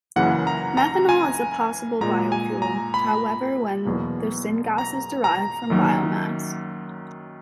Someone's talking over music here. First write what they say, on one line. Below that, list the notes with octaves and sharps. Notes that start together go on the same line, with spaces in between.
Methanol is a possible biofuel, however when the syngas is derived from biomass.
F#2 C#3 E3 A#3 F#5
A#5
A#5
G#5
A#2 G#3 A#5
G#5
A#5
B5
E2 B2 F#3 A#3
A#5
A#5
F#2 D#3 F#3 A#3